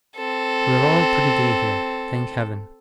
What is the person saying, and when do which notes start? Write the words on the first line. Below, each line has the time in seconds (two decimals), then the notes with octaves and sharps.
'We are all pretty gay here, thank Heaven!
0.17 C4 A4